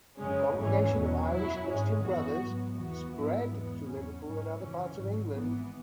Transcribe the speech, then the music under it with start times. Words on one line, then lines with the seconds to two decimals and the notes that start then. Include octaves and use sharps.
The congregation of Irish Christian Brothers spread to Liverpool and other parts of England.
0.18 F#2 C#3 G#3 C#4
0.55 G#1 G#2 E3 C#4
0.91 E2 B2 F#3 C#4
1.28 F#2 F#3 E4
1.65 G#1 G#2 G#3 C#4
2.01 F#2 E3 B3 F#4
2.38 G#2 F#3 B3
2.75 E2 E3 B3 F#4
3.12 G#2 F#3 B3 E4
3.48 E2 E3 G#3 B3
3.85 E2 C#3 F#3 C#4
4.22 G#2 F#3 C#4
4.59 F#2 C#3 E3 C#4
4.96 G#1 G#2 F#3
5.33 G#1 G#2 E3 B3